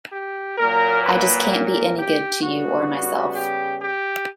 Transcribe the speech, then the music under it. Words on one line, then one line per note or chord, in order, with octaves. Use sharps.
I just can't be any good to you or myself.
G4
A#2 F#3 A#3 A#4
B4
A#4
G4
C#3 G3 B3 F#4
G4
G4